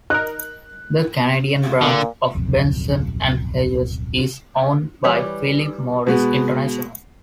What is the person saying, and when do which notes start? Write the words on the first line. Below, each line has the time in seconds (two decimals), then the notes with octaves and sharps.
The Canadian branch of Benson and Hedges is owned by Philip Morris International.
0.10 D#4 A#4 F#6
1.81 A#2 D3
2.35 D1 B1 F2
5.04 E3 G3 B4 C#5
6.07 B2 G#3 B3